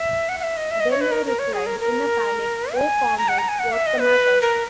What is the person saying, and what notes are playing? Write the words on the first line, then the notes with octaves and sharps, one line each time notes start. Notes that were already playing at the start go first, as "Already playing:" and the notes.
Beria replied, in a panic, Oh Comrades, what's the matter?
Already playing: E5
F#5
F#5
E5
D#5
E5
D#5
C#5
B4
A#4
A#4
C#5
G#4
A#4
A#4
G#5
A#5
F#5
A#5
G#5
F#5
E5
D#5
B4
A#4